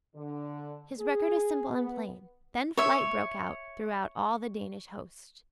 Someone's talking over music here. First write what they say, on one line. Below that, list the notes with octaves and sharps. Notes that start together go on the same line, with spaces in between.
His record is simple and plain:--"Then flight broke out throughout all the Danish host."
D3
G#4
B3
C#5 E5